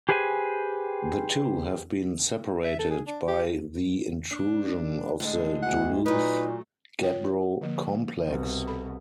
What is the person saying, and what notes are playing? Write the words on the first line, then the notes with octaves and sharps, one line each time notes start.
The two have been separated by the intrusion of the Duluth Gabbro complex.
G4 G#4 B4 C5 G5 G#5
E5
A4
G#4
D4
G4
D4
A2 D3 G#3
D2 F#5
A#2 F#3 A3 D#4 B4
F4 C#5 G5
D3 F3 A#3
C2 B2
A4 B5